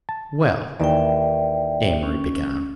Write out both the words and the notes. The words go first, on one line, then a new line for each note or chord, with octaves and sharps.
"Well" Amory began.
A5
D#2 D#3 E3 D5 E5 G5
C#4